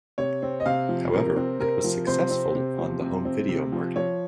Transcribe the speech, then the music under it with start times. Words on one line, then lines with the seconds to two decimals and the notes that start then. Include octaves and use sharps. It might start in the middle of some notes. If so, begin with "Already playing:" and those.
However, it was successful on the home video market.
0.18 C3 C#5
0.42 C4
0.60 D#5
0.66 C3 F5
0.89 F3
1.13 C3 A#4
1.36 C4
1.59 C3 A#4
1.84 F3
2.07 C3 C5
2.31 C4
2.55 C3
2.78 F3
3.02 C3
3.25 C4
3.49 C3
3.72 F3
3.96 F3 C#5